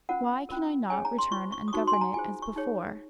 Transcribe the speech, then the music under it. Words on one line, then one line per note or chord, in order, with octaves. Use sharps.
"Why can I not return and govern it as before?"
C#4 F4 A#4 F#5
C#4 F4 A#4
C#4 G#4 C#5 G#5
A#5
C6
F4 C#6
C5
C#6
D#6
D#4 F#4 C5 C#6
C6
G#5
A#5
F4 G#4 C5 G#5
C#6
D#4 G#4 C#5